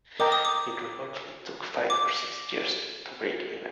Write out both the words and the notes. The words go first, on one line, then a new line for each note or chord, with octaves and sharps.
It reportedly took five or six years to break even.
A#4 D#5 G5 A#5 D6
D#6
D6
D6